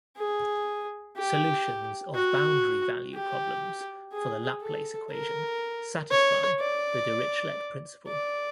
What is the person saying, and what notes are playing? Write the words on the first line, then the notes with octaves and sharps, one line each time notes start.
Solutions of boundary value problems for the Laplace equation satisfy the Dirichlet principle.
G#4
G4
F#4
G4
G#4
A4
A#4
C#5
D5
D5